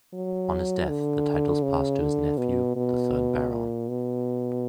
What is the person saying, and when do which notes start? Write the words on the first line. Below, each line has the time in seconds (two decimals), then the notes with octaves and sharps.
On his death the titles passed to his nephew, the third Baron.
0.14 F#3
0.88 D3
1.63 C#3
2.00 D3
2.38 B2
2.76 B2
3.51 A#2
3.89 B2